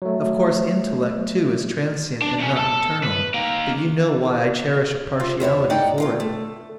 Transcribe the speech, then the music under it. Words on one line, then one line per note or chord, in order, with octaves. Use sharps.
Of course, intellect, too, is transient and not eternal, but you know why I cherish a partiality for it.
F#3 A3
D4
E2 C#4
A4 A5
B4
D#3 A#3
F4
E2 E4 C#5 E5
D#4 D5 F#5 G5
B2 F4 D5
A3